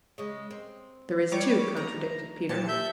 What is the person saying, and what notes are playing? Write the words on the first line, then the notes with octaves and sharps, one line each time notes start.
"There is too," contradicted Peter.
C#3 G#3
C4
G3 C#5 D6
D2 B4 A#5
A#2 G4 A5 C#7
E5 G6